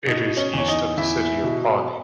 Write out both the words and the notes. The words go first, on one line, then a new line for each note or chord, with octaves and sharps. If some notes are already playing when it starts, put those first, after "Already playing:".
It is east of the city of Pawnee.
B2 D#4 D#5
D#5
C#4 C#5
E2 C#5
D#4 D#5
E2 E4 E5
B2